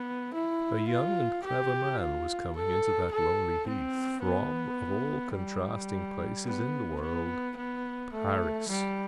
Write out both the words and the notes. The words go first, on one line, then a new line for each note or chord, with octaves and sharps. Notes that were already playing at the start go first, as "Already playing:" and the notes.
A young and clever man was coming into that lonely heath from, of all contrasting places in the world, Paris.
Already playing: B3
E4
F4
G4
F4
A4
A4
C4
B3
G3
B3
B3
B3
A3
G3